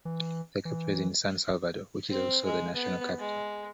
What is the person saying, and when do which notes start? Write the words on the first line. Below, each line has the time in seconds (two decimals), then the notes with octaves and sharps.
The capital is San Salvador, which is also the national capital.
0.05 E3
0.65 E3
2.09 C4
2.44 G#3
2.73 B3
3.18 G#3